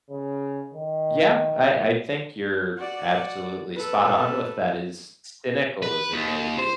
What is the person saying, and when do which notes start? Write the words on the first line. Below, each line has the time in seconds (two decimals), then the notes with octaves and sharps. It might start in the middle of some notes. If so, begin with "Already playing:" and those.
Yeah, I I think you're absolutely spot on with that, as cynical as it may be.
0.11 C#3
0.74 D#3
2.77 F#4 D5
3.76 A4 B4
5.82 B4
6.13 D#2
6.58 C5